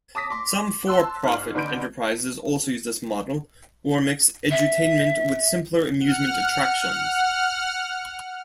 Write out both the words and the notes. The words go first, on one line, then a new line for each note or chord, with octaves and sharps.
Some for-profit enterprises also use this model, or mix edutainment with simpler amusement attractions.
A5 D6 D#6 A#6 B6
C6 D6
A5 C6 E6 F#6
G#2 F6 F#7
A1 D3 B4 C6 G6 D7
E5
F#5 F6